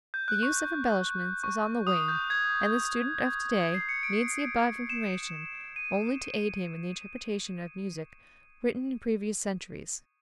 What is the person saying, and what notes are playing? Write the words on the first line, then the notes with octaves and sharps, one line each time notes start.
The use of embellishments is on the wane, and the student of to-day needs the above information only to aid him in the interpretation of music written in previous centuries.
G6
F#6
C#6
C#6
D#6
G6
G#6
G#6
C7
C#7
D7
E7
D#7